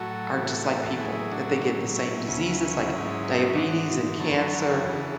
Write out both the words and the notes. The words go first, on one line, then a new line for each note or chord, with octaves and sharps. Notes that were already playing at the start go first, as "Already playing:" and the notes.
are just like people, that they get the same diseases like diabetes and cancer.
Already playing: A2 F#3 F#4 A4
A2 E3
F#4
A2 F#3 E4 G#4
D4 F#4
A2 F#3
C#4 E4
D2 C#3 F#3
G#2 F#3
G#2 E3 D4 F#4
F#2 D3 F#3 A4
B4
F#4 A4
E2 C#3 E3